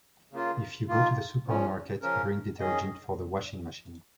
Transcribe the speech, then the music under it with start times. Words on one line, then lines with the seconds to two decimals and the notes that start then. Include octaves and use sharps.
If you go to the supermarket, bring detergent for the washing machine.
0.31 C#3 A#3 F4
0.88 D#3 A#3 F4
1.45 A#2 F3 C#4
2.02 C#3 F3 C#4 A#4
2.59 D#3 C#4 G#4 D#5